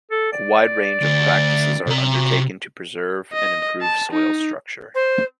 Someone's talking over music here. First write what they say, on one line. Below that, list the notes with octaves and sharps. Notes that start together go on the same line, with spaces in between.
A wide range of practices are undertaken to preserve and improve soil structure.
A4
D5
D2
C3 A#5
F#4
D#5
A5
D#4
C5